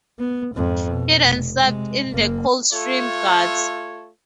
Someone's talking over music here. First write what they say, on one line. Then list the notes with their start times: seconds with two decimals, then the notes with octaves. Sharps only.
He then served in the Coldstream Guards.
0.19 B3
0.54 F2 G#2
0.89 B2
1.23 F1
1.61 C3 G#3
2.09 F#1 A#3
2.73 A3 F4 A4 C#5